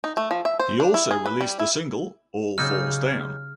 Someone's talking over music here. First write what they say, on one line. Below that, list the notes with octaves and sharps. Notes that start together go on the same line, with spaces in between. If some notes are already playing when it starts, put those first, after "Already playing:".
He also released the single "All Falls Down".
D#4
A3
F3
E5
C5
D4
E4
G#4
B4
G3
E4
C#3 F#3 G3 D#4 F6